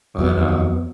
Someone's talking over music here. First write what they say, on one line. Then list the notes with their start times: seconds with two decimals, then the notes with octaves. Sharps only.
but, uh
0.19 F2 F#3 B3